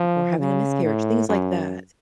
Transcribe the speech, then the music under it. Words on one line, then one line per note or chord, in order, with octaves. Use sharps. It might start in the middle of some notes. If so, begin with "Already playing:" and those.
or having a miscarriage, things like that.
Already playing: F3
C#3
A2
F#2